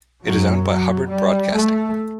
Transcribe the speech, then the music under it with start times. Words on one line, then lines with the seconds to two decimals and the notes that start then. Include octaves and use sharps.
It is owned by Hubbard Broadcasting.
0.25 F#2 F#3
0.67 F#3
1.10 G3
1.54 A3